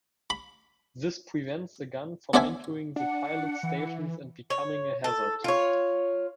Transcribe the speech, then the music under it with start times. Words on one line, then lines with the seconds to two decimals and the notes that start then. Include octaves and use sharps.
This prevents the gun from entering the pilots stations and becoming a hazard.
0.30 B5
2.34 B3 D4 C5 D5 E5 G#5
2.96 D4 F#5
3.63 E3
4.50 C#5
5.04 A4
5.44 F4 C#5